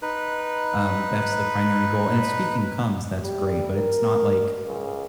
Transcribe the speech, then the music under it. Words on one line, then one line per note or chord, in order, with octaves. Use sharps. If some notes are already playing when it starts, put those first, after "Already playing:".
um, that's the primary goal, and if speaking comes, that's great, but it's not, like
D#4 B4
G3
A#4
C#2